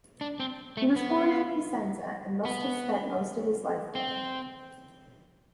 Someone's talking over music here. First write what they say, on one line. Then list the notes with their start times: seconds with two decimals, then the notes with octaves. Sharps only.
He was born in Piacenza, and must have spent most of his life there.
0.21 D4
0.40 C4
0.77 A3
0.96 B3
2.45 B3
3.95 C4